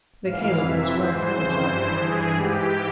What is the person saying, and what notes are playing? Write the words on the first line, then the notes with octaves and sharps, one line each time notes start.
The Caliph was well satisfied with my report.
G#2 E3 F5
F2 C3 E3 E5
G#2 E3 C5
F2 C#3 E3 C5
G2 E3 C5
G2 E3 G#4
G#2 E3 G4